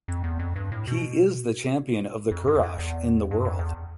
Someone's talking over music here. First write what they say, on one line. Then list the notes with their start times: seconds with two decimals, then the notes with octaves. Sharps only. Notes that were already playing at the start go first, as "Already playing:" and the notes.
He is the champion of the Kurash in the world.
0.08 F2
0.24 E2
0.39 F2
0.56 G2
0.72 A2
0.87 B2
2.31 F2
2.47 G2
2.55 E2
2.63 F2
2.79 E2
3.31 G2
3.45 F2
3.59 E2